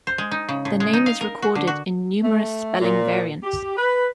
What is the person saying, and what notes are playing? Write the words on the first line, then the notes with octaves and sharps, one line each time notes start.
The name is recorded in numerous spelling variants.
C5
G#3
D#4
C#3
A2
G#3
D#4
F5
A#4
F#4
D3
F#4
A3
A#2
G4
B4